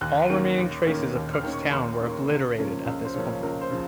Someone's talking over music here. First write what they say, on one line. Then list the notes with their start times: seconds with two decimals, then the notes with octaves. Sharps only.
All remaining traces of Cooke's town were obliterated at this point.
0.01 D#2 F#6
0.30 D#3 A#3 C#4
0.58 D#2
0.87 D#3 A#3 C#4
1.15 D#2
1.34 F6
1.43 D#3 A#3 C#4
1.53 C#6
1.72 D#2 C6
2.00 D#3 A#3 C#4
2.29 C#2
2.57 C#3 F3 A#3 C#4
2.86 C#2
3.05 C5
3.14 C#3 F3 A#3 C#4 C#5
3.43 C#2 A#4
3.61 C5
3.71 C#3 F3